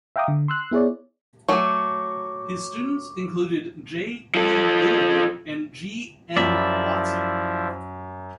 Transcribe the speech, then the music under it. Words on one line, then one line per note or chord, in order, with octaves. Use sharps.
His students included J. E. Littlewood and G. N. Watson.
E5 F5 G5 A#5 D6 D#6
D3
C6 E6 F#6
B3 E4 G#4 C#5 D5
F#3 A3 C#6 D6
F3 A4
F#2 F3 E4 D5 E5 B5